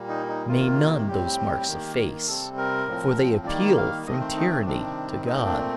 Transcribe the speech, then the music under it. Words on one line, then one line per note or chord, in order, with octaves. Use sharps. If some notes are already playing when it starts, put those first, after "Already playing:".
May none those marks efface! For they appeal from tyranny to God.
Already playing: A#2 G3 A#3
D#4
D#4
C3 D#3 A#3 F4
A2 G3 C4 G4
D#3 A#3
C3 G3 C4 A4
A#4
A2 F3 C4
D#3 G3 A#3 D5
F5
D#3 A3 C4 D#5
C5
D#4
D4
C3 D#3 G3 C4 D4
A#2 A3 C4 D#4
D4